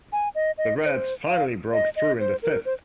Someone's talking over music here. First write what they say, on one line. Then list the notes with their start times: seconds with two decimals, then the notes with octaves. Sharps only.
The Reds finally broke through in the fifth.
0.12 G#5
0.35 D#5
0.58 D#5
0.81 D#5
0.86 C5
1.27 F5
1.73 D#5
1.96 D#5
2.20 C5
2.43 A#4
2.65 C5